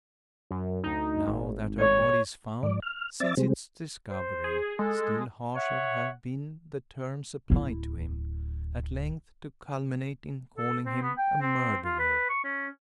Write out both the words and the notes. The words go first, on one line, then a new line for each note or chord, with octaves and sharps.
Now that her body is found, since its discovery, still harsher have been the terms applied to him; at length, to culminate, in calling him a murderer!
F#2
D2 D#4
G#1
C#5
G#2 D5
F6
C4 D5 E5 A6
C3 G3 G#3 C4
C5
G#4
G#3 A4
C#5 E5 F#5
D1 E4
A4
C4
B3
G5
C4
F4
B4
C#6
C#4